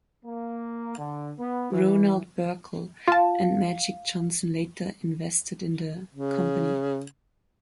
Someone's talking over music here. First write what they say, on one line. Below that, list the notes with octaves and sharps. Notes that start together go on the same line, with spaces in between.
Ronald Burkle and Magic Johnson later invested in the company.
A#3
D3
B3
E3
F4 F5 A5
C#3